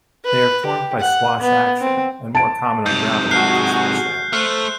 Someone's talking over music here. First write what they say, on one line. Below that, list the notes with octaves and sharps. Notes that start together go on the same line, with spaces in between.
They are formed by swash action and more common on gravel beaches than sand.
B4
G4
F#5
B3
C4
A5 D7
G#2 C3 G6
F#4 G#4 F6 F#6 C7
A3 C5 F6 F#6